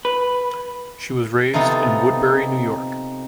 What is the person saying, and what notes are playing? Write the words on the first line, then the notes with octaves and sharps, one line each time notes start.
She was raised in Woodbury, New York.
B4
C3 F3 B3 D#4 A4